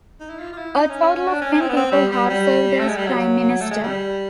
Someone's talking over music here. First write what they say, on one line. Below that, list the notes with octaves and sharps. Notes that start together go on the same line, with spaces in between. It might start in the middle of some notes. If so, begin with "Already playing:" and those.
A total of ten people have served as Prime Minister.
D#4
E4
F4
F4
E4
D#4
C#4
C#4
C#4
D4
C#4
C#4
C4
B3
C4
G3
G3
F#3
G3
A3
G#3
G3
F#3
A3
G#3
G3